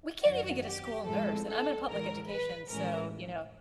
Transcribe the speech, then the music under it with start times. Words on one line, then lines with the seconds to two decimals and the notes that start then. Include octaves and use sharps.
we can't even get a school nurse," and I'm in public education, so, you know,
0.23 F#2 D#3 F#3 F#4
0.64 G4
1.06 A2 F3 G#3 C4 A4
1.46 A4
1.87 A2 E3 G#3 A#4
2.29 B4
2.69 A2 E3 G#3 C#4 A#4